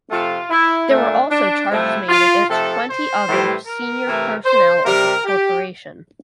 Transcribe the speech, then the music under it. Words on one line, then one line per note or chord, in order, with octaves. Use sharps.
There were also charges made against twenty other senior personnel of the Corporation.
C3 F3 A3 F4
E4
A#2 A3 D4
D4
C3 F3 A3 E4
F4
C3 F3 A3 A4
C5
A2 E3 G3
A#4
C3 E3 A3
C5
C3 G3 A#4
G4